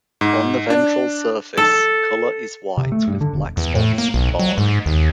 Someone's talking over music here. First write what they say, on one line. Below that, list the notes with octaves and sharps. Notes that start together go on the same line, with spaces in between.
On the ventral surface, colour is white with black spots and barring.
G#2
D4
A4
C3
A3
G2
D3
E1
E2
A2
A#3
B1
F#3
G#2
D#2